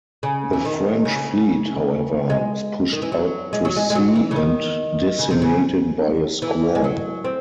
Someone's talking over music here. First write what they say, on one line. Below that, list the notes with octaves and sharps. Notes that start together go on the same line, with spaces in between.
The French fleet, however, was pushed out to sea and decimated by a squall.
C#3
E3
D#3
C#3
G#3
D#3
E3
F#3
G#3
F#3
G#3
G#3
F#3
E3
C#3
D#3
C#3
C3
C#3
E3
G#3
F#3
C4